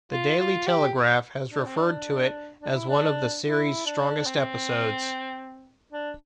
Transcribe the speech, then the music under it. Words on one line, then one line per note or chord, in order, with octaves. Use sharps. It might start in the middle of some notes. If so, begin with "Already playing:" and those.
"The Daily Telegraph" has referred to it as one of the series' strongest episodes.
F4
F4
G4
D4
C4
D4
D4
E4
D4
E4
D4
C4
D4